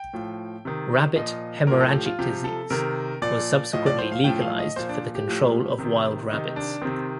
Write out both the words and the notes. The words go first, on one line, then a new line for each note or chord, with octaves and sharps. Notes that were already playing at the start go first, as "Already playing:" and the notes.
Rabbit hemorrhagic disease was subsequently legalised for the control of wild rabbits.
Already playing: G5
A2 F3
C3 D#3
A#2 F3 D#5
A2 F3 A#4
A4
G4
F4
C3 F3 G4
A4
C3 D#3 A#4
A#2 F3 D5
A2 F3 D#5
D5
C5
F5
A2 F3 G5
F5
D#5
A#2 F3 C5
D4
G4
A2 F3
C3 D#3
C3 D#3 D#4
D4
C3 D#3 C4